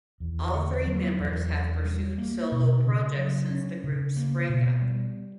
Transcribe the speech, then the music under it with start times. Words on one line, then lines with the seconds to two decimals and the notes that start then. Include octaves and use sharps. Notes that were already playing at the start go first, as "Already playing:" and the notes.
All three members have pursued solo projects since the group's breakup.
0.20 E2
0.53 D3
0.86 F#3
1.19 E2
1.52 D4
1.85 G3
2.18 A#3
2.52 B2
2.84 C#3
3.17 F#3
3.50 C#4
3.84 C#3
4.16 A#3
4.49 B2
4.82 G3